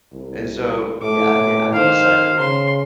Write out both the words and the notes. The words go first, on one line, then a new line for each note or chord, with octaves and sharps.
and so, yeah, I can I can decipher
C2
A2 D6
D#3 C5 F5
C#3 C6